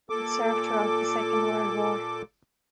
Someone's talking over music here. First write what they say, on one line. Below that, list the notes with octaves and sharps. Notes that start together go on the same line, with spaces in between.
It served throughout the Second World War.
A#2 A4 D6